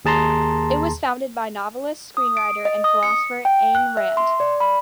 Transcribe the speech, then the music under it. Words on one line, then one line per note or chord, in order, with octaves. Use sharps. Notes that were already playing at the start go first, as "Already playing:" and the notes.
It was founded by novelist, screenwriter, and philosopher Ayn Rand.
D#2 G#4 A5 A#5 C6
D#6
D7
D#5
D#6
C#7
G5
F#6
E5
C6
D5
B5